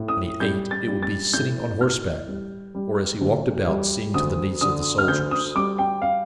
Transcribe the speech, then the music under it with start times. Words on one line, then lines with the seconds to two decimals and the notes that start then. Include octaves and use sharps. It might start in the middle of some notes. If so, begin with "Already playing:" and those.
When he ate it would be sitting on horseback, or as he walked about seeing to the needs of the soldiers.
Already playing: A2
0.08 D#6
0.40 G3 G6
0.71 A6
0.87 G3
1.03 A6
1.33 A2 G6
1.81 A2 F6
2.27 G3
2.75 G3
3.21 D2
3.68 G3
4.14 D2 D#6
4.61 D3 D#6
4.98 F6
5.08 D2 G6
5.31 D#6
5.55 G3 D6
5.78 G5
6.02 F5